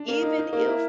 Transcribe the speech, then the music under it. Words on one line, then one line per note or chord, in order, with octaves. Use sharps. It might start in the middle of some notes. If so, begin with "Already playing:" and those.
even if
Already playing: D4
A#3
D#4
D#4
A#3
E4